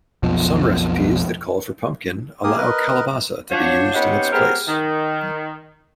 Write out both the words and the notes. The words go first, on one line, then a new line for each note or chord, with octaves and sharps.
Some recipes that call for pumpkin allow calabaza to be used in its place.
B1 F2 B2 F3
A#3 G4 G#4 A#4 D#6
A#4 B4 D#5
D4 F4 F#4 C5 C#5
C3 B3 C#4 D#4 G4 F#5
G#3 B3 C4 G4 A#4
D#3